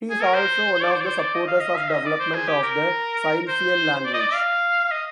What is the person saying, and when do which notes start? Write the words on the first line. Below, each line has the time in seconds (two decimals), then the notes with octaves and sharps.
He is also one of the supporters of development of the Silesian language.
0.10 G#4
0.22 A#4
0.34 C5
0.83 D5
0.92 C5
1.01 D5
1.06 C5
1.20 D5
1.34 D#5
1.48 F5
1.61 D#5
1.77 F5
1.92 D#5
2.06 D5
2.20 C5
2.34 G#4
2.48 G4
2.63 A#4
3.48 C5
4.06 D5
4.14 D#5
4.20 D5
4.34 F5
4.85 F5
4.91 D#5